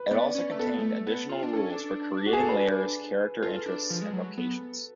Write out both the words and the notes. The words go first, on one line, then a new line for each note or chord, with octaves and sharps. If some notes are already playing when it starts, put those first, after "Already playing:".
It also contained additional rules for creating lairs, character interests and vocations.
Already playing: B4
B3 D5
C#4
A3
B3 A4
G#3
A3
B3
F4
D4
C#4 A4
D4
F#4
G#4
A4
B4
F4 A4
D4
F3
G#3
F#3
B3